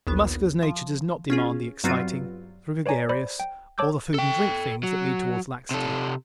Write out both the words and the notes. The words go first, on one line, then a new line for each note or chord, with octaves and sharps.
The Muscular's nature does not demand the exciting, the gregarious or the food-and-drink things that lead toward laxity.
A#1 D#2 B3
F3
C#4 F4 G#4
G2 F#3 B3 C4 F4 F#4
B4 C#5 D5 G#5 A#5
C5 D5 B5
G5
C#5 A5 D6 E6 G6
A4 G5
F#3
C3 A4